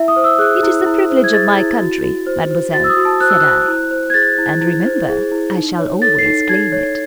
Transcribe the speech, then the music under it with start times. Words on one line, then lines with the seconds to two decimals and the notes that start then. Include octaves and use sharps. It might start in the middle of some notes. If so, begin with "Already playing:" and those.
"It is the privilege of my country, Mademoiselle," said I; "and, remember, I shall always claim it."
Already playing: E4 E5
0.08 D#6
0.16 C5
0.24 E6
0.38 G#4 F#6
0.63 E4
0.86 E4
1.10 C5
1.24 G#6
1.33 G#4 A6
1.57 E4
1.80 F#4
2.04 F#4
2.27 C5
2.51 C5
2.74 F#4 A6
2.84 E6
2.89 D#6
2.97 F#4
3.05 A5
3.20 C5 F#6
3.30 E6
3.40 C5 F#6
3.68 E4
3.91 C5
4.10 G#6
4.14 G#4 A6
4.38 E4
4.61 E4
4.85 C5
5.09 G#4
5.31 E4
5.55 D#4
5.78 C#5
6.02 A4 A6
6.19 C7
6.26 D#4
6.49 D#4 G#6
6.72 C#5